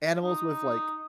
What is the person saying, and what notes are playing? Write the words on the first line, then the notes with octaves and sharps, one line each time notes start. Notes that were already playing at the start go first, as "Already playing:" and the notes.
animals with, like
D#4